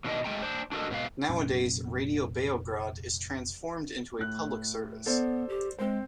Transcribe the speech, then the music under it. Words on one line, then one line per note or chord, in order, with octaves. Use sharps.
Nowadays, Radio Beograd is transformed into a public service.
B2 D#3 D4 D#5
G#3 A3 G5 A#5
D4 C5
D4 F#4 A4 A#4 D#5
G#2 B2 B3 F5
F1 A#2 F#3 C#4
A2 F#6
B3 A4 C5 D5
G4
G#3 C4 C5